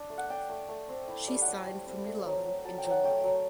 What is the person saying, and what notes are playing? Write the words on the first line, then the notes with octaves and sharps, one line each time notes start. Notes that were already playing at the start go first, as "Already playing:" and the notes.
She signed for Milan in July.
Already playing: D4 A5
A3
F#5
D4 G5
A3
A3
C4
E4
G3
F#5
G3 G5
G3
C4
A3
F#3
F#3
F#3 A5
G5
F#3
F#5
A3 G5
F#3